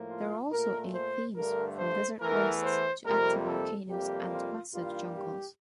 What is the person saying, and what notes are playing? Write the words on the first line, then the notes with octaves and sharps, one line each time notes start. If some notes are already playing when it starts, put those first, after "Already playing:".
There are also eight themes, from desert wastes to active volcanoes and massive jungles.
Already playing: A2 F3 A#3
F4
A#2 A3 A#4
C5
G2 D3 A3 A#4
C5
E2 E3 A3 A#4
C5
F2 C3 G3 A#3 A#4
A4
F2 C3 G3 A#3 G4
F4
G2 E3 G3 A#3 F4
G4